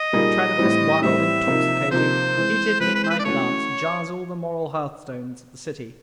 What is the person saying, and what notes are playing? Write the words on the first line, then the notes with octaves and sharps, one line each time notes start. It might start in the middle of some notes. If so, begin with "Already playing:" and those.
The tread of this wild, intoxicating, heated midnight dance jars all the moral hearthstones of the city.
Already playing: D#5
A#2 G3 A#3 D#4 G#4
A2 E3 G3 C4
A2 E3 G3 C4 E5
C3 F3 A#3 D#4
C3 F3 A#3 D#4 C5
E3 G#3 C4
E3 G#3 C4 B4
B4
C5
B4
D5
E3 A3 C#4 F#4 C#5